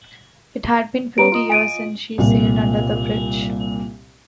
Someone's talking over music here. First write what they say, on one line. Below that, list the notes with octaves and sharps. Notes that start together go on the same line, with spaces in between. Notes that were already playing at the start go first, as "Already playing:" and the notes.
It had been fifty years since she sailed under the bridge.
G3 B3 C#4 A#5 D7
F4 D#5
G#5 D7 D#7
C2 A#2